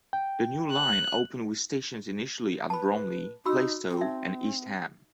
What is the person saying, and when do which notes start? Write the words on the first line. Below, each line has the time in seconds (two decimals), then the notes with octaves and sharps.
The new line opened with stations initially at Bromley, Plaistow and East Ham.
0.13 G5
0.72 F#6
2.70 B4 A5 B5
3.45 D#4 F#4 B5 E6
3.88 C4
4.01 D#4 E5